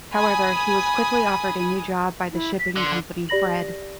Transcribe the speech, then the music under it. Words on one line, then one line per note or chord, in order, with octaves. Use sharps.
However, he was quickly offered a new job by the shipping company Fred.
G#5 B5 D#6
E4
B6
D3 C6
G4 D5 B5 A#6 F#7